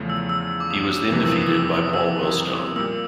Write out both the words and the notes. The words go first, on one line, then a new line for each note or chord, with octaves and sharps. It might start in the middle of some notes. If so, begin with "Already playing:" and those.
He was then defeated by Paul Wellstone.
Already playing: E2 C#3 F3 A3
E6
E6
D6
D#6
F2 C3 E3 G3 A#3 D6
E6
D#6
E6
D#6
E6
A#2 G3 A#3 E6